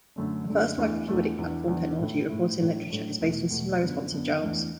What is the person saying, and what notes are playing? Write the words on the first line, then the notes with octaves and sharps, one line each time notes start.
A first microfluidic platform technology reported in literature is based on stimuli-responsive gels.
F#2 D3 A3 D4
F#2 D3 A3 D4
E2 E3 A3 D4
E2 E3 A3 D4
E2 E3 D4
E2 E3 D4
A2 A3 E4
A2 A3 E4
A2 F#3 A3 D4
A2 F#3 A3 D4
E2 B2 A3
E2 B2 A3
F#2 D3 B3 D4
F#2 D3 B3 D4
E2 E3 A3 D4